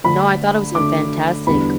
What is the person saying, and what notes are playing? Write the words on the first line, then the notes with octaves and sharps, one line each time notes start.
No, I thought it was a fantastic,
D3 A3 D4 B5
D3 A3 D4 D6
E2 D3 G3 B3 D4 B5